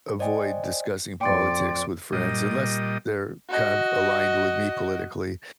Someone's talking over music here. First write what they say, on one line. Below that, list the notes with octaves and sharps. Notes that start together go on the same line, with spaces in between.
a avoid discussing politics with friends unless they're kind of aligned with me politically,
C5 D5 D#5 G5 G#5
F2 D5 G5 C6 A6
A#2 G3 D#5
F#4 D#5